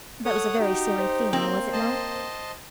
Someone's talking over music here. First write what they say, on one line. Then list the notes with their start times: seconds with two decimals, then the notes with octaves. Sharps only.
That was a very silly feeling, was it not?
0.25 A4 C#5 F#5 D#6
0.59 D#4 F#4 G4
0.98 C5
1.33 A#3 C4
1.72 C5 D#5 A5